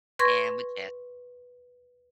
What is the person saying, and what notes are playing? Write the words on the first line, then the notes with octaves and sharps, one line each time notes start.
And would just
B4 C6 C#6 G#6 A#6